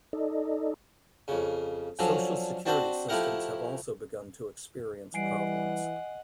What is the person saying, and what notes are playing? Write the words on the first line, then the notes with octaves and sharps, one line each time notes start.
Social security systems have also begun to experience problems.
D#4 A4 D5 D#5
F2 C#3
F3 F#3 C#4 D4 A4
C4 D4 F#4 C5 A5 B5
F3 A3 E4 G4 A#4 F#5
E3 G3 D#5 F#5 G#5 C7 D7